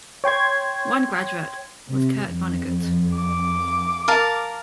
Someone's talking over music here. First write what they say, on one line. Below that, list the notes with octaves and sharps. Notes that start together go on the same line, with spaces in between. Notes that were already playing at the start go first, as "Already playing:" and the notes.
One graduate was Kurt Vonnegut.
C#5 G5 C6 G#6
C3
F2
D6
A#4 F5 A5